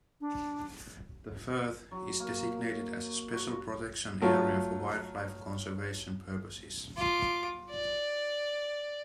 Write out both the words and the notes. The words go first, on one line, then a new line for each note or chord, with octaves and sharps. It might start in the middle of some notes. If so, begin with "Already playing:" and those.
The firth is designated as a Special Protection Area for wildlife conservation purposes.
D4
F#3
A#3
F#4
F#3 A3 F4
F4 D6
D5